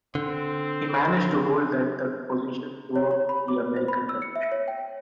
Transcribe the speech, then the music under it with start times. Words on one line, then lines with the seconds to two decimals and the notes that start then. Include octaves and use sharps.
He managed to hold that position throughout the American Revolution.
0.15 D3 C4
2.96 C#5
3.11 C#5
3.29 B5
3.48 D6
3.76 C5
3.88 B5
4.09 E6
4.22 C#7
4.36 E5
4.52 C#5
4.68 G5